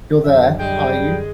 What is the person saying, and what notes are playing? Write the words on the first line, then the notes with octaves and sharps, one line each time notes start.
You're there, are you?
F#2 D3 E5
G3 G#3 G5